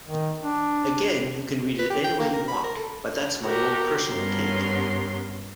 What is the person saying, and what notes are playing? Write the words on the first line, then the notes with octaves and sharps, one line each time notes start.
Again, you can read it anyway you want, but that's my own personal take!
D#3
D4
B4
G4
G5
A#3
A#4
B5
A#4
A4
F#4 G4 A#4
G2 B3 C#4 A#4 C6